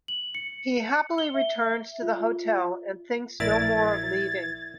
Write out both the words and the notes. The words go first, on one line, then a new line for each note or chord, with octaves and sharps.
He happily returns to the hotel and thinks no more of leaving.
F#7
C#7
G7
E5
F4
A#1 E4 A#4 D5 G#6 A6